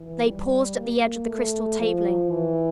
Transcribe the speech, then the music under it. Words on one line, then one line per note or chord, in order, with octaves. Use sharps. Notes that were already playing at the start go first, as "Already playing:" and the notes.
They paused at the edge of the crystal tabling.
Already playing: E3
G3
A#3
A3
F3
E3